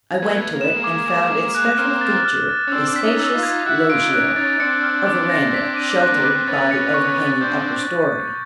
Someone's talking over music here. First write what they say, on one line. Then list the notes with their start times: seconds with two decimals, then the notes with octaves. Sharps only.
I went to it, and found its special feature a spacious loggia or verandah, sheltered by the overhanging upper story.
0.14 G#6
0.22 A3 B3
0.38 G#6
0.53 A#3
0.61 B3 E7
0.76 G#3 A#3
0.84 D6
1.08 D6
1.32 D6
1.55 F#6
1.78 A#3 C4 F6
2.01 A6
2.25 F6
2.49 A6
2.67 C#4
2.72 C4 D4 E6
2.96 B6
3.03 C#4 D#4
3.19 E6
3.34 D#4 F4
3.43 G#6
3.66 E4 F#4 F#6
3.89 D#4 F4 D7
4.12 C#4 D#4 F#6
4.36 C#4 D#4 A6
4.60 C4 D4 C#7
4.83 F6
5.06 D6
5.30 A#6
5.54 B6
5.77 D#7
6.00 F#6
6.12 A#3
6.24 B3 F#6
6.35 C4
6.47 B3 C#4 A6
6.71 C#7
6.94 C#6
7.18 A6
7.41 C4 D4 G6